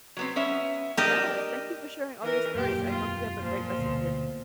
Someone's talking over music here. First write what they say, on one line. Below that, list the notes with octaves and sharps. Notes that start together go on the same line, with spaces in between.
Yes, thank you for sharing all your stories, I hope you have a great rest of your
F#3 B3 C4
B3 C#4 E5
D4 G4 A#4 D#5 G5
E3 A#4
E1 F#2 A#2 G4
F4
A#2 F3
D2 B2